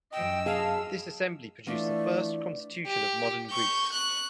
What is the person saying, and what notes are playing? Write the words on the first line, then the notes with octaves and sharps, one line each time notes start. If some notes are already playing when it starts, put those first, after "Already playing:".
This assembly produced the first constitution of Modern Greece.
F#2 D#5 G5 E6
G#4 F5 A5
E3 A3 D4 F4
G4
C#6 G6
F#6